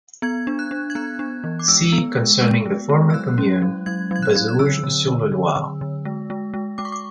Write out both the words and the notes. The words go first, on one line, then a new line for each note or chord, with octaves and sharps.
See concerning the former commune Bazouges-sur-le-Loir.
B3 G#6
D4
F#6
D4
G#6
B3 F#6
D4
E3
D6
G#3 E6
B3
G#3
G#3
G#3
G#3
E6
F#3 F#6
C#4
F#3
F#3 G#6
F#3 G#6
F#6
F#3
F#6
D3 E6
D3
D3
D3
D3
D3
G#3
G#3
G#3
G#3 D6
C#6
D6